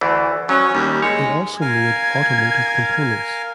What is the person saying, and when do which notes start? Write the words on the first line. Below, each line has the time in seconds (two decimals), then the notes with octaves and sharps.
It also made automotive components.
0.01 D2 E3 A3
0.49 F#3 C#4
0.75 D#2 G3
1.02 G#3 C#5
1.61 A#4 F5 G#5 G#6